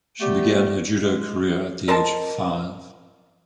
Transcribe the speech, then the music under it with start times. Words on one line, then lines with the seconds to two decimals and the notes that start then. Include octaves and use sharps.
She began her judo career at the age of five.
0.21 G3 A3 B3 G4
1.03 G#3
1.88 A#4 C5 D#5 A5